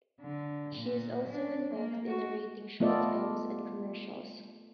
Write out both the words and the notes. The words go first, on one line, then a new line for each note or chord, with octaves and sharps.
He is also involved in narrating short films and commercials.
D3
A#2
D4
A#3
F#4
A3 B3 F4 A4 D5 D#5